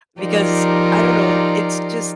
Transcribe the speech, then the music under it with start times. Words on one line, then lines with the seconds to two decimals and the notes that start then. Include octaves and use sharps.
Because I don't know, it's just
0.21 F3 D#4 F4 G4 A#4 D5